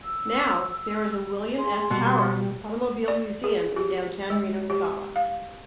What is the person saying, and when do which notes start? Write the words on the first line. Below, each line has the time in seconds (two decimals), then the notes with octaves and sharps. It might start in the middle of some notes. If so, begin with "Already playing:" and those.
Now, there is a William F. Harrah Automobile Museum in downtown Reno, Nevada.
0.04 E6
1.58 G#4 C6
1.90 B2 G3
3.08 D5
3.44 G#4
3.76 G4
4.30 G#3
4.70 G4
5.16 F5